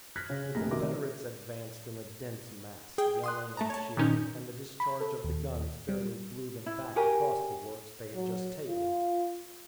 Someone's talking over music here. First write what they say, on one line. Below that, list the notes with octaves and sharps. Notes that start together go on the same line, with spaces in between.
The Confederates advanced in a dense mass, yelling and cheering, and the discharge of the guns fairly blew them back across the work's they had just taken.
F6 F#6 G#6 A#6 B6
C#3 C#4
G#4
F1 A#1 A2 G4 A#5 A#6
B1 C3 D#3 A#4 E5 D6
G#4 G5
C6 D#6 F#6
A3 A5 A#5
C#5 A5
A#2 D#3 C#4 D#4 G6
B5
A4
D#2
G3
E4
F#4 G4 A#4 G#5
F#3
F4